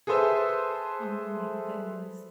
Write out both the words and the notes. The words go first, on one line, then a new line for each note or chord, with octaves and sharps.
Oh my goodness.
G#4 A4 B4 C5 E5 E6